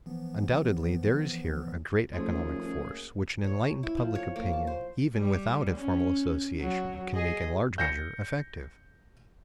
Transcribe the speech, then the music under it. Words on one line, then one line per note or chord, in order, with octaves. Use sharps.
Undoubtedly there is here a great economic force which an enlightened public opinion, even without a formal association, can make in large measure effective.
E3 F3 B3
D#1 F#2 C#3 F3 A3 A#3 G#4
C#5
E4
F3
C#5
A#3
A5
C5
G3
C#4
F#3
G#4 D#5
G6 A#6 C#7